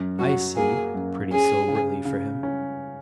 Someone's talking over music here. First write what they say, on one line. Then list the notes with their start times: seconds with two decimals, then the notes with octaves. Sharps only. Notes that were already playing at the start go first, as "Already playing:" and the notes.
"I see," pretty soberly, for him.
Already playing: F#2
0.19 F#3 F#4
0.56 A#3 G#4
0.94 F#2
1.31 C#4 G#4
1.68 C#3
2.05 C#3
2.43 C#4